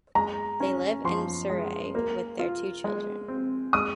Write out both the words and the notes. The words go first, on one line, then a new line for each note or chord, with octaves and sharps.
They live in Surrey with their two children.
G#3 A#5
C#4
F3 C6
G#3
A#3
F4
G#3
C4
G#3 D#6